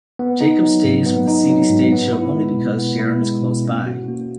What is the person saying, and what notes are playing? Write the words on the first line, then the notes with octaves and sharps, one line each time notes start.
Jacob stays with the seedy stage show only because Sharon is close by.
B3
D#4
F#3
G#2
B3
D#4
F#3
G#2
B3
E4
G#3
B2
B3
E4
G#3
B2
C#4
F#4
A#3